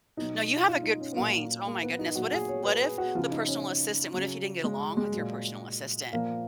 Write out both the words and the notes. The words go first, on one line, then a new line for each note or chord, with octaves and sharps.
no, you have a good point. Oh, my goodness. What if what if the personal assistant what if you didn't get along with your personal assistant?
B2 F#3 D#4
F4
D#4
C#4
B3
A#2 F#3 A#3
A#3
B3
D#4
A#2 F#3 F#4
G#4
C#5
B4
G#4
F#4
C#3 F3 F4
D#4
C#4
C#3 F#3
G#3
G#3
A#2 F#3
A#2 F3 A#3